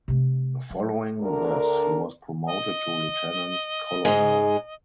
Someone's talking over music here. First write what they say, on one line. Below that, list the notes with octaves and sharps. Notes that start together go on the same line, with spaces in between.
Following this he was promoted to lieutenant colonel.
C3 A3
F#3
D2 D4 A#4
D#5
G#2 G#3